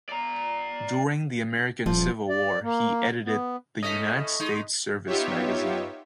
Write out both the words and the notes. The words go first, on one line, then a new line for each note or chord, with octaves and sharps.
During the American Civil War, he edited the "United States Service Magazine".
D5 A#5
D#1 F3
D5
A#3
B3
A2 A3 C#4 D#5 B6
G#3 D#4
B3 D#4 F4 G4 C#5 E5